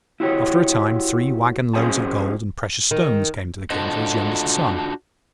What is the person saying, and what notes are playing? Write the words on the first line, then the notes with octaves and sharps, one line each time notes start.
After a time three wagon loads of gold and precious stones came to the King for his youngest son.
E4 F#4 G4 C#5
C#4 F#4 G#4 C5 G#5 A5
D#3
D4 F4 F#4 A4 C5 D#5